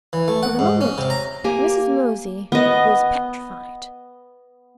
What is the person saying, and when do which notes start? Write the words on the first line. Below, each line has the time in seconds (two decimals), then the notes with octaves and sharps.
For the moment, Mrs. Mosey was petrified.
0.13 E3
0.28 A3
0.43 F#5
0.59 G#2
0.81 C#4
0.98 C3
1.10 A#5
1.44 A#3 G4 G#5
2.52 B3 D#5